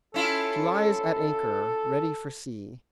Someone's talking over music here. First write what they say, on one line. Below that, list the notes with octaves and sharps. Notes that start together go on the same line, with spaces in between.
She lies at anchor, ready for sea.
C#4 E4 F4 A4